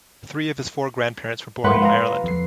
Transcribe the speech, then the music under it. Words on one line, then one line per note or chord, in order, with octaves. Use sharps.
Three of his four grandparents were born in Ireland.
G#2 F3 A#3 B4 F#5 C6
F4 A#5
F2 C7